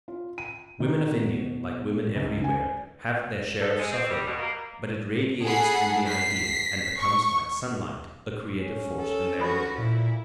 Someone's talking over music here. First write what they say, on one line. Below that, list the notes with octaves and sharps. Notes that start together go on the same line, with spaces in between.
Women of India, like women everywhere, have their share of suffering, but it radiates through the ideal, and becomes, like sunlight, a creative force in their world.
F4
D#7
D#3
B2
C#2
G#5
A4
G#3
C4
G3
B2
A#3
G#4 A4 F#5 B5 C7
B6 C7
C#6
C#4
A4
F3 F#4 A4 B5
A#2 E4